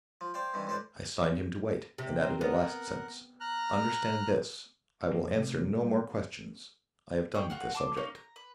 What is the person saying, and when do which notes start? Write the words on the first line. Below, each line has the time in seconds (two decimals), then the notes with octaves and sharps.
I signed him to wait, and added a last sentence: "Understand this; I will answer no more questions--I have done with the subject."
0.21 F3
0.34 C5 D5 F5 G5
0.54 G2 C3 D#3 E3
0.67 C#2 G#2 A4 B4 C5 D5
1.98 C3
2.21 C4 A#4 C5
2.41 B3 A#4 F#5
3.40 A#5 F6 F#6
5.11 F2 F#3 A#3
5.37 C3 A3
5.82 G3
7.34 G#4 C#5 G5
7.50 F4 F#4 F#5
7.75 A5 C6 D6
7.97 A#3 C#4 D#4
8.15 A#5
8.36 B4